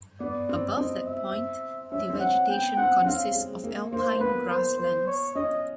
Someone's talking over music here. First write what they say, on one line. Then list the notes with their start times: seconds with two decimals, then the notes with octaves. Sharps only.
Above that point, the vegetation consists of alpine grasslands.
0.20 B3 D5
0.49 C4
0.77 C4 D#5
1.06 E5
1.92 C#4 E5
2.10 C4
2.20 C#4 F#5
2.49 B3 G5
2.77 C4 F#5
3.02 C#4
3.06 C4 F5
3.35 G#3
3.64 A#3
3.93 A#3 C5
4.16 A#3
4.20 B3 B4
4.49 C5
4.78 C5
5.07 C#5
5.35 C#4 D#5